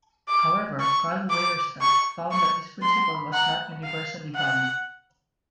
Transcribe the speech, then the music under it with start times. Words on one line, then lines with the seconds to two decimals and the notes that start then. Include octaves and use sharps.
However, Karl Weierstrass found that this principle was not universally valid.
0.28 D6
0.79 C#6
1.30 D6
1.81 C#6
2.31 C#6
2.82 C6
3.33 F#5
3.83 F5
4.35 F#5